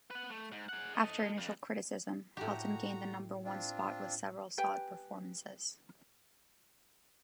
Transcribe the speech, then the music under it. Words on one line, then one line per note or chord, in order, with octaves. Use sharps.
After initial criticism, Helton gained the number one spot with several solid performances.
B4 F#5
A3
G#2
G#4 F#5
A4 D#5
F2
A2 F#4 G4 A#5
C4 D4 F4
G4 B4 G5 G#5